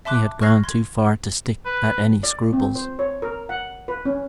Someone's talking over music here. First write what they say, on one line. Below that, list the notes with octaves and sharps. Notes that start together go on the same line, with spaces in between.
He had gone too far to stick at any scruples.
E5 A5 C6 D6 F#6
C#6 F6 F#6 G#6 A#6 C7
C6 G#6
B4
D5
C4
C5
C#5
A#4
F#5
B4
C#4